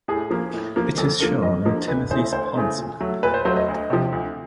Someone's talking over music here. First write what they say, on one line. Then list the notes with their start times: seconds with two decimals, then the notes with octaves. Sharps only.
It is shown on Timothy Pont's map.
0.08 A2 G#4
0.30 F3 A#3
0.53 A2
0.76 F3 A#3
0.98 F2 A4
1.20 D3 F3 A#3 A#4
1.42 F2 D#5
1.65 D3 F3 A#3
1.87 D2 B4
2.10 C#3 E3 A3 C5
2.32 D2 C5
2.55 C#3 E3 A3
2.78 A#2
3.00 F#3 A3
3.23 A#2 B4
3.34 C5
3.45 F#3 A3 C5
3.56 D#5
3.68 D2
3.90 C3 F3
4.12 D2